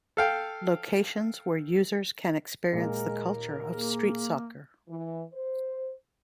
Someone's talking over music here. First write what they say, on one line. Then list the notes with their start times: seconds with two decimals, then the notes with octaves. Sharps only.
Locations where users can experience the culture of street soccer.
0.17 A4 F5 G5
2.73 D#2 A#2 G#3 A#4
3.73 A#3 G#4
4.88 E3
5.34 C5